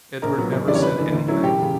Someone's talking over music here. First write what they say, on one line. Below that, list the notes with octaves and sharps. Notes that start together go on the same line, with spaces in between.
Edward never said anything.
A#1 A#4
A#2 F#3 B3
F#1
E2 D3 G3 C#4 D5
C#5
F#1 B4
E2 D3
D2
D3 F#3 C#4 E4
E1 G4
C#3